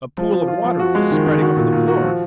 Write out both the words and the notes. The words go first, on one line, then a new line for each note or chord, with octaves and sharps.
A pool of water was spreading over the floor.
F3
F3
F4
F3
F#4
G#3
D#3
D#3
F#4
A#2
A#2
F#4
F3